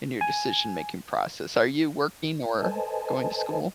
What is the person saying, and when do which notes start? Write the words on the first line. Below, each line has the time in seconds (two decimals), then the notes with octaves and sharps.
in your decision-making process? Are you working or going to school?
0.21 G#5
2.60 A4 B4 C5 D#5 G#5 A5